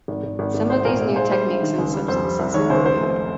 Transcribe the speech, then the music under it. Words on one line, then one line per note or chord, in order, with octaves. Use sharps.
Some of these new techniques and substances include.
G#1
G#1
G#1
G#1
C2 C5
A#2 A#4
C3
G#3 C5
G3 C5
A#1
D#3
C#2
G3
F2 C5
G3
C2
D#3 C#5
C#2 C5
F1 C5
F1